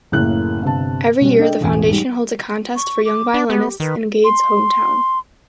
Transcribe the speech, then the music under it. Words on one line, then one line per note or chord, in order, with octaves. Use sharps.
Every year the foundation holds a contest for young violinists in Gade's hometown.
F#1 A2 C#3 A#3 F#6
G1 C3 A5
B2 G3 C#4
D4 A4 D#5 G5
E1 A1 G#5
G#2 G3
C#6
D6
D4
B3 G4
D#3 B4
C6